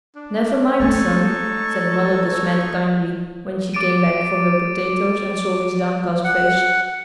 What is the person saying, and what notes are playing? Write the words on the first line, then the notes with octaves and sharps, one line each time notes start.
"Never mind, son," said Mother De Smet kindly, when she came back for her potatoes and saw his downcast face.
D4
G#3 A3 D#4 A4 C#5 C#6
D6 A6 D7 D#7
F#5